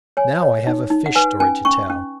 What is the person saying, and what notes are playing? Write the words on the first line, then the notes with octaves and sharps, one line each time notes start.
Now I have a fish story to tell.
C#5 G#5
C#5
D#4
D#4
F#5
B4 G#5
C#4 G#5
C#4 C#6
C#4